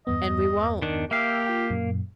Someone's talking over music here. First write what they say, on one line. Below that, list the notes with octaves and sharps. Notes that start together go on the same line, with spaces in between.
And we won't.
E2 G2 B3 D#5
D#3 D4
A#3 G4 E5 F5 G5 E6
F4 G5
F#2 A#2